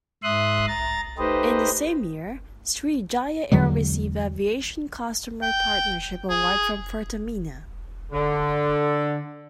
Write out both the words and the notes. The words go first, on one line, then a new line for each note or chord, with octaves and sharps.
In the same year Sriwijaya Air received Aviation Customer Partnership Award from Pertamina.
G#2 E5 C6 D#6 F#6
A#5 A6
A3 D#4 G4 B4 C5 D#5
E2 D3 F#3 G#3
G5
G#4
D3